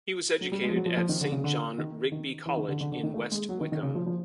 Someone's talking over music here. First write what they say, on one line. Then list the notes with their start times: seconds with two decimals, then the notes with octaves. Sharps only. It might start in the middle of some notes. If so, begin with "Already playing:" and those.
He was educated at Saint John Rigby College in West Wickham.
0.41 F#3
0.52 G3
0.63 G#3
0.70 F3
0.76 F#3
0.86 F3
0.97 F3
1.09 D#3
1.21 D3
1.32 C#3
1.44 D3
1.78 D#3
2.12 D#3
2.46 E3
2.57 D#3
2.68 D3
2.81 D3
2.92 D3
3.03 D#3
3.14 A3
3.31 G#3
3.49 F#3
3.61 D#3
3.72 D#3
3.83 C#3
3.95 F3
4.06 F3